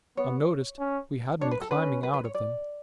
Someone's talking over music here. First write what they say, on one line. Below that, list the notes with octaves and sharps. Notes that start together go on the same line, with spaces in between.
Unnoticed, we had been climbing out of them.
B3 C#5
C#4
D4 C#5
B4
A4
C#4 B4
B4
B4
C#5
D5